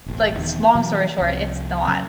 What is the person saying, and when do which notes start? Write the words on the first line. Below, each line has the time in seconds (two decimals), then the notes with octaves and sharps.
like s long story short, it's not
0.06 E1 A1
0.38 E1 E2 B2 D#3
0.75 B2 E3 F#3
1.18 C2 F3
1.88 C#3 F#3 C#4